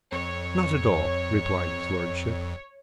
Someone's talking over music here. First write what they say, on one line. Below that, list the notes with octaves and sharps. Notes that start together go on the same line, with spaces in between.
"Not at all," replied his lordship.
F2 C#5